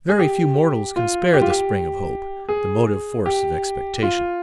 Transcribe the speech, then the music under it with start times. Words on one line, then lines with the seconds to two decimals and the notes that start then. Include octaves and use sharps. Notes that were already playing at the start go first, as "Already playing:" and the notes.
Very few mortals can spare the spring of hope, the motive force of expectation.
0.09 G#4
0.19 G4
0.96 F4
1.34 G4
1.42 F4
1.50 G4
2.49 G#4
3.26 G4
4.03 F4